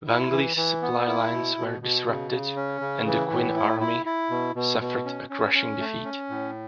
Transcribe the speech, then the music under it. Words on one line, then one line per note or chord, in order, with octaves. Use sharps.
Wang Li's supply lines were disrupted and the Qin army suffered a crushing defeat.
E4
E3
E3
B3
E4
B2
B2
B2
C#3
C#3
C#4
C#3
E3
A2
E4
E4
E4
B2
B2
B2
C#4
C#4
C#4
A3
C#4
A2